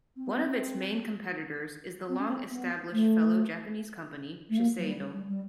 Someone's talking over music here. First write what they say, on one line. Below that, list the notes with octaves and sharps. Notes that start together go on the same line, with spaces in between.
One of it's main competitors is the long established fellow Japanese company Shiseido.
C4
B3
C4
C4
C#4
C4
B3
A3
A3
A#3
F#3
G3
G3
G3